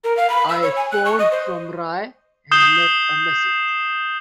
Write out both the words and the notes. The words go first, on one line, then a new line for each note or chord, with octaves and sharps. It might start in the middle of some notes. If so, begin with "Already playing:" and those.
I phoned from Rye and left a message.
A#4
F5
B5
E6
C#5
G#5
F#6
C#6
D#5
C5
D#6 G6 C7 E7 G7